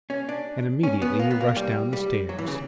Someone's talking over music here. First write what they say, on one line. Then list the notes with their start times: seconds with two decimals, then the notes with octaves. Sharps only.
And immediately he rushed down the stairs.
0.10 C#4
0.29 D4
0.83 C#4
1.02 B3
1.19 A#3
1.31 B3
1.41 A#3
1.56 G3
1.93 G3
2.29 F#3
2.38 E3
2.47 C#3